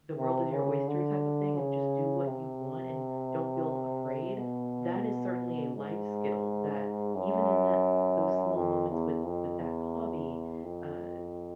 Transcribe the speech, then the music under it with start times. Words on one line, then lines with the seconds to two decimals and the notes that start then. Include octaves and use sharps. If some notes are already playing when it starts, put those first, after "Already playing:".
"The world is your oyster" type of thing and just do what you want and don't feel afraid, that is certainly a life skill that even in that s those small moments with with that hobby, uh,
0.18 C3
0.53 C#3
0.88 D3
1.57 C#3
2.27 C3
4.37 B2
5.75 G#2
7.15 F#2
8.55 F2
8.89 E2
9.24 F2
9.59 E2
10.64 F2